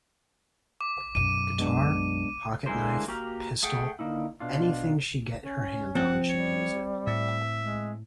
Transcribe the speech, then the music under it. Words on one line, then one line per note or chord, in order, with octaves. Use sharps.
Guitar, pocket knife, pistol, anything she get her hand on she'd use it.
D6
B1 F#2 D#7
G#3 B3 D4
D3 G#3 E4 G#4 A#4 C5
A#3 F#4 G4 A#4 A#5
A3 G#4 F#5 G5
D3 A#3 D#4 E4
B2 D4 F4
C#4
F3 C4 F#5
G3 C#5
A2 E5
G#3